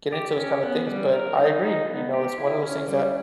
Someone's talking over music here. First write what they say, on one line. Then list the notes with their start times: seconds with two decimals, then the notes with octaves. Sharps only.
get into those kind of things, but I agree, you know, it's one of those things that
0.13 G4
0.37 C#4
0.63 B3
0.87 G3
1.13 A#4
1.37 D#4
1.63 D#4
1.88 B3
2.14 G4
2.38 E4
2.63 C#4
2.88 G3